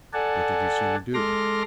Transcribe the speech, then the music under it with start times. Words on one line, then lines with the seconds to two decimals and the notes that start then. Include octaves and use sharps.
"What did you see me do?"
0.13 A4 D5 F#5 G#5 A5
1.14 G#3 A4 C6 D6 F6 A#6